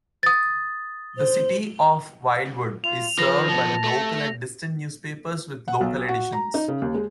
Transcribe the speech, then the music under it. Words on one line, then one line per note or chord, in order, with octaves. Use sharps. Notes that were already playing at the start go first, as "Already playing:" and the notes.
The City of Wildwood is served by local and distance newspapers with local editions.
D#6 A6
C5
F4 F7
F3 B4 A#6
F3 B3 A5
A3
F#5
B1
F#4
A#5
D#4
C#3
D#2
G#3